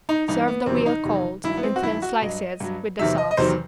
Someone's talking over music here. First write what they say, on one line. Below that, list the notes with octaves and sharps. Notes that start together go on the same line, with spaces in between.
Serve the veal cold, in thin slices, with the sauce.
D#4
G2 E3 D#4
B3
E2 C3 D#3 F#3 C4
D#4
E2 C3 D#3 F#3
G2 D#3 F#3 E4
B3
C4
F#4
G2 D#3 F#3 E4
F#4
G2 F#3 D#5
G2 F#3
E2 C3 D#3 F#3 E5
D#5
D#5
E2 C3 D#3 F#3 C5